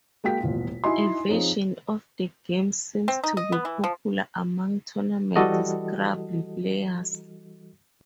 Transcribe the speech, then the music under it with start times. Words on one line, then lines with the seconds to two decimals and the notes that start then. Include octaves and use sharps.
A version of the game seems to be popular among tournament Scrabble players.
0.24 G#3 A#3 F#4 G5 B6
0.41 D#1 A1 B2 F4
0.84 D#4 E4 F#4 D#5 G#5 C6
1.28 F3 C4 D#4 G#4 C#5
3.08 C4
3.24 D#4
3.37 D#5
3.52 B3
3.65 E3
3.84 F3
5.36 E3 G3 F#4 A4 D#5